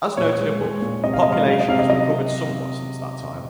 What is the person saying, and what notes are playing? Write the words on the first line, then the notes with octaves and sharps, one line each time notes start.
As noted above, the population has recovered somewhat since that time.
A#2 C#5
G#3
G#3
A#2
C3 D#5
F5
G#3 D#5
F5
D#5
F#3 F5
D#5
C3 F5
D#5
F#3 D#5
C3